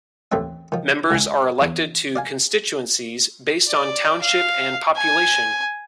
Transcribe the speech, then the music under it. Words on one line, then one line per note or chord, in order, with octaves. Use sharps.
Members are elected to constituencies based on township and population.
A1 D#2 A3 C4 E5
D#3 F3
C#2 G#5
E2
D5 F5 G#5
D5
F5
G#5